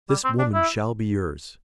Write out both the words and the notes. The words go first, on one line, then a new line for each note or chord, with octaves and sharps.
This woman shall be yours.
G3
C4
D4
E4